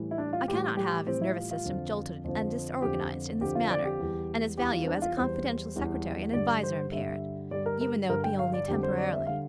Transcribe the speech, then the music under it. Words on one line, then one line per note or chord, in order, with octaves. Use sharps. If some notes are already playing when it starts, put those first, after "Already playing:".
I cannot have his nervous system jolted and disorganized in this manner, and his value as a confidential secretary and adviser impaired, even though it be only temporarily.
Already playing: A2 E3 G3
E4
D4
F4
A2 E3 G3 G4
G4
A2 E3 G3 C4
E4
F4
F4
F2 D3 F3
F2 D3 F3
F2 D3 F3 G4
F2 D3 F3 G4
F4
D5
G4
E2 E3 G3
E2 E3 G3 G4
F4
C4
D4
F4
E2 E3 G3 C5
E2 E3 G3
G2 D3 G3 D5
C5
G2 D3 G3 E5
G2 D3 G3 D5
A#4
A#4
G2 D3 G3 A#4
G5
F5
D5
F2 D3 G3 G4
C5
D5
E5
D3 G3 F5